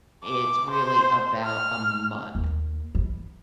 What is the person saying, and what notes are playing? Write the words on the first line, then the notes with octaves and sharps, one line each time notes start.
it's really about a month.
D6
C5
F6
D#2
E3